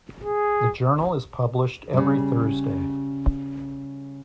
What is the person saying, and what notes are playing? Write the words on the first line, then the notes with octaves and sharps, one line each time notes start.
The journal is published every Thursday.
G#4
C#3 G3